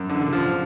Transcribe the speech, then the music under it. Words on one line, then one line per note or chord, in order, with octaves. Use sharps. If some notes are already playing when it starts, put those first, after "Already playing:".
And you could
Already playing: F#2
D3
F3